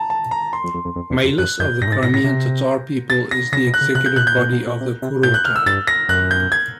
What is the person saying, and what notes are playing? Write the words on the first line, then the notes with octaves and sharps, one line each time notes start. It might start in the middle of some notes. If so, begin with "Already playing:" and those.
Mejlis of the Crimean Tatar People is the executive body of the Kurultai.
Already playing: A5 A#5
A5
A#5
C6
F2
F2
F2
F2
E2
F2
F#2 F#6
F#2 G6
G2 A#6
A2
G#2 A6
A2 A#6
A2 A#6
C3
A6
A#6
C#3 A#6
B2
F#6
C#3
C3 F#6
G6
B2 F#6
G6
A#2
B2
B2
C3
C3
A2 G6
F#6
F6
E6
G2 A6
A#6
F#2 F#6
G6
G#6